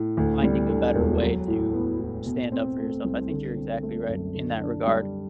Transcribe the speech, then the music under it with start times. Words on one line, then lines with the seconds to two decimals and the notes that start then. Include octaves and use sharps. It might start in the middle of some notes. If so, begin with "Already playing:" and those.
finding a better way to stand up for yourself, I think you're exactly right in that regard.
Already playing: A2
0.17 D2
0.43 G3
0.69 D3
0.95 E1
1.21 F#3
1.48 A2
1.73 B3
2.00 A2
2.26 B2
2.52 C4
2.78 A3
3.04 C2
3.31 D3
3.56 C4
3.83 A3
4.09 F#2
4.35 D3
4.61 D4
4.87 G3